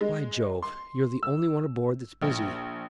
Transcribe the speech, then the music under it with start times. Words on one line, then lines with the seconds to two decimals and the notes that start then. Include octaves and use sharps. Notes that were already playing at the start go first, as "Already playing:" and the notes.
By Jove! you're the only one aboard that's busy.
0.01 G#3
0.62 C6
1.23 E6
2.22 A#1